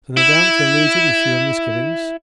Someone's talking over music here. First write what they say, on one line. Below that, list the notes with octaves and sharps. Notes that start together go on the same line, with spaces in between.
So no doubt he'll lose it with fewer misgivings.
E4